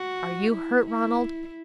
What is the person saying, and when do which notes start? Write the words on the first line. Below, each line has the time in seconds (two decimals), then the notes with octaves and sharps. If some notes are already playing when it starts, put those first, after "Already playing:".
Are you hurt, Ronald?
Already playing: F#4
0.51 E4
0.86 E4